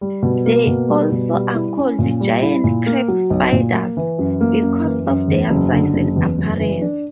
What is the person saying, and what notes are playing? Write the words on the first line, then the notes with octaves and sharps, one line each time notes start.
They also are called giant crab spiders because of their size and appearance.
G3
B2
A#3
B2
G3
B2
G3
E4
C#4
A#2
G3
E4
A#2
A#3
F#3
B1
A#2
A#3
E3
F#2
A#3
F#2
E3
F#2
E2
F#1
D3
F#1
E2
F#1
E3
D4